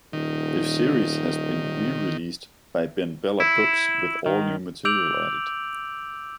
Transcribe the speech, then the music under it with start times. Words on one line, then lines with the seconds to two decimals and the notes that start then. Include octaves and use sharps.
The series has been re-released by BenBella Books, with all-new material added.
0.13 D#1 D#3
3.40 E4
4.26 D#3
4.85 D6 E6 G6 D7 F7 F#7